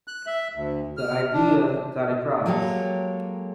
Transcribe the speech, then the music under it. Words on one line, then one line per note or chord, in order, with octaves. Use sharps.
The idea got across.
F#6
E5
D2
F6
D4
F#3 G#3 A#3 G4 A4 C#5